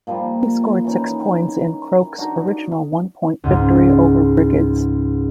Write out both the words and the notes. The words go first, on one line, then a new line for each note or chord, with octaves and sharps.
He scored six points in Crokes' original one-point victory over Brigids.
A#2 F3 G3 A#3
E3 C#4 D#4
D4 D#4 F#4
C#2 G#2